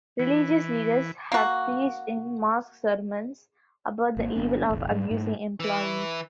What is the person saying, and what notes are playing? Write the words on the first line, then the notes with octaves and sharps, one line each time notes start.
Religious leaders have preached in mosques sermons about the evil of abusing employees.
E3
A#3 F#4
G#1 A#3
G1 B2 B3 D4
E1 A1
G#2 G3
G#2 A3
E3 E4